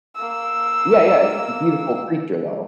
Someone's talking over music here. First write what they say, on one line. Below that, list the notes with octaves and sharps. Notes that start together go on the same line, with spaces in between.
Yeah, yeah, it's a beautiful creature, though.
A#3 E6